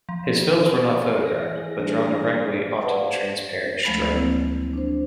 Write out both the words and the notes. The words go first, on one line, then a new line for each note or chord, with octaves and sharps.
His films were not photographed, but drawn directly onto the transparent strip.
F3
E3 G#4 A#6
G3 D4
B4 C5 D5 F5 F#5 A5
D2 F3 G#3 A3 B5
F#3 A#3 C4 E4
D4 C5